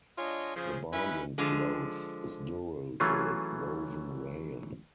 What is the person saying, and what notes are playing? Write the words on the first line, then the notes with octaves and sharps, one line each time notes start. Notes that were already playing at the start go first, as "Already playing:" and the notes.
The binding cloth is durable woven rayon.
G#3 D4 F4 C#5 D#5
C#3 F3 G#4
C#4 D#4 E4 B4
D3 F3 G#3
E3 F#3 A3 C#4 F4 G#4